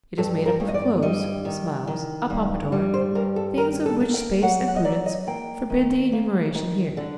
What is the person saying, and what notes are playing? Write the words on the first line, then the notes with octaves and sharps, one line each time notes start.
It is made up of clothes, smiles, a pompadour, things of which space and prudence forbid the enumeration here.
G2 A4
A#4
G2
D#5
D5
G3 D#5
D#3
D#3
G2
G3
C5
G2 A#4
A4
D#3 A#4
A4
A#3
G5
F#3 F#5
F#5
D#5
F#3 D5
D#5
A#3 G5
D#3
A#3
D#3
D3